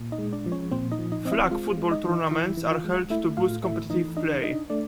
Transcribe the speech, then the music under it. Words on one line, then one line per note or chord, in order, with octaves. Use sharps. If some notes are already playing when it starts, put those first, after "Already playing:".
Flag football tournaments are held to boost competitive play.
Already playing: A#2
D#4 D#5
G#3
D4 D5
F3
C#4 C#5
A#2 C4 C5
D#4 D#5
F3
D#4 D#5
C4 D#5
E4 E5
G#3 F4 F5
G#3
D#4 D#5
E3
E3 E4 E5
E3
F4 F5
G#3
A3 E4 E5
A2 F4 F5
A3 E4 E5
E3 D#4 D#5
D4 D#4 D#5
D4 D#4 D#5
A3 D4 D5